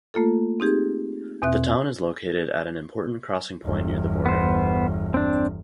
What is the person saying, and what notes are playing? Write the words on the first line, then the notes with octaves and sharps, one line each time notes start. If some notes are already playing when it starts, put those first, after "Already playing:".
The town is located at an important crossing point near the border.
A3 A#3 F4 A4
C4 D#4 G4 G#4
E2 B2 C4 E5 F#6
G1 E2
B3 C5
C4 D4